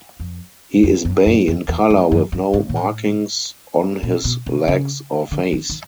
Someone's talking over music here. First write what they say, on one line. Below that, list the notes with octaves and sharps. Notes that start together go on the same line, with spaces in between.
He is bay in color with no markings on his legs or face.
F2
F2
F#2
F#2
F2
E2
F2
F#2
G2
G#2
A#2
A2
A#2
B2
C3
C#3
D3
D#3
D#3